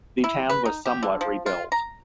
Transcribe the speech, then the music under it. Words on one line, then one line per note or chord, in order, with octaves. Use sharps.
The town was somewhat rebuilt.
E4
B4
D#4
G4
D3
F3
F4
A#5